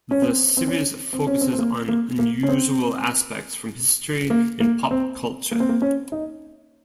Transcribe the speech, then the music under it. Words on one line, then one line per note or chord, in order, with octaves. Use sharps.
The series focuses on unusual aspects from history and pop culture.
C#4
C4
C4
C#4
C4
C#4
C4
C4
A#3
A#3
A#3
C#4
C4
A#3
A#3
C4
A#3
C4
A#3
C#4
D#4